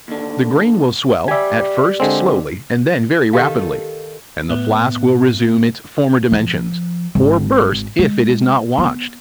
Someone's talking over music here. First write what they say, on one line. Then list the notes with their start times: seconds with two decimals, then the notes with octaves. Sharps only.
The grain will swell, at first slowly and then very rapidly, and the flask will resume its former dimensions, or burst if it is not watched.
0.08 D#2 D3
1.28 G4 D5 E5 G#5
2.00 D3 G#3 C4
3.33 D#3 G4 A4 F5
4.50 A2 B3
6.32 F3
7.15 G#1
7.99 G#3
8.78 B3